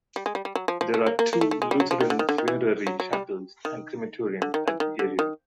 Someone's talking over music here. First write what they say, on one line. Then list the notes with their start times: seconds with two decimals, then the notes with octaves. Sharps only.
There are two Lutheran funerary chapels and crematorium at the area.
0.16 G3
0.26 G#3
0.35 G3
0.45 G3
0.55 F#3
0.68 F3
0.81 F3
0.94 A3
1.06 A#3
1.19 A#3
1.33 A#3
1.41 A3
1.51 A3
1.62 G#3
1.71 G3
1.80 F#3
1.91 F3
2.01 D#3
2.10 D3
2.19 D#3
2.29 D3
2.38 D#3
2.48 E3
2.87 F#3
3.00 F#3
3.13 G3
3.65 D#3
4.42 D3
4.54 D#3
4.68 E3
4.80 D#3
4.99 D3
5.19 D#3